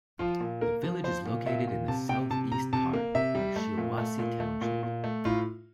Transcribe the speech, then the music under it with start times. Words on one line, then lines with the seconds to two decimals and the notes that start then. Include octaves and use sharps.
The village is located in the southeast part of Shiawassee Township.
0.19 F3 F4
0.40 A#2
0.61 A#3 A#4
0.83 F3
1.04 F3 C5
1.26 A#2
1.46 A#2 E5
1.67 A#2
1.88 C3 A5
2.09 C3 G5
2.30 C3 A5
2.52 C3 A#5
2.73 C3 A5
2.93 A#3
3.15 C3 E5
3.35 G3
3.56 A3
3.78 A#2
3.98 A3
4.19 A#2
4.40 A3
4.61 A#2
4.83 A#2
5.04 A3
5.25 A2 F4